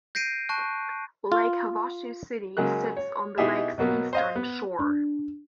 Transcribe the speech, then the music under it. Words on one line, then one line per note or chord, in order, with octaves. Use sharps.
Lake Havasu City sits on the lake's eastern shore.
G6 A#6 C7 D7 D#7
A5 C#6 F#6
F4
C#3 F#3 G#3 A#3 F#6
C#5
B2 D#4 E4 G4 G#4 E5
B2 F#3 A#3 B3
C5 D#5 F5
B3
D4